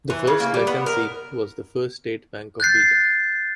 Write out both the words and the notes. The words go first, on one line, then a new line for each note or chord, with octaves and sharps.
The first licensee was the First State Bank of Vida.
E3
C#3
A#3
G3
B3
A#4
F#6 G6 A6 C7